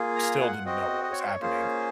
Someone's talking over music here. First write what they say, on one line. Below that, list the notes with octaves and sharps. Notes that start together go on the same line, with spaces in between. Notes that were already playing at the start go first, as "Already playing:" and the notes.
still didn't know what was happening.
Already playing: A#3 F4 G#4
A#5
F#5
C4 F#4 D#5
D#5
C#5
C5
C#5
A#3 C#4 F4 G#4 C5